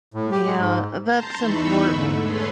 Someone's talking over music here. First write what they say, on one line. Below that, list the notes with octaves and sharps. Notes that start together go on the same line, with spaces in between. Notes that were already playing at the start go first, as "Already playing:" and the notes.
Yeah. That's important.
A2
G4
G#3
G#2
A5 A#5 C6 G6
E2 E3 D#4 B5 C#6 E6
G#2 D3 A3
G#4 A4 B4 C#5 C6